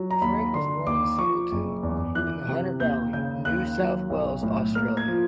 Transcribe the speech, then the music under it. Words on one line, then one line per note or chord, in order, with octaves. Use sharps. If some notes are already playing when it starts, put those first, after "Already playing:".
Frank was born in Singleton, in the Hunter Valley, New South Wales, Australia.
Already playing: F#3
A#5
D#2 B5
D3 C6
D#2 D6
F3 C#6
F#1
E2
E3 F#6
C3
D#2 G6
C#3 G6
D#2 F#6
F#3
B1
A2
A#3 F6
G#6
F3